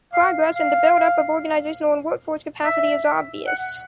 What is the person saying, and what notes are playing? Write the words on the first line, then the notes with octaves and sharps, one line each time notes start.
Progress in the build-up of organizational and workforce capacity is obvious.
F5
F5
E5
F#5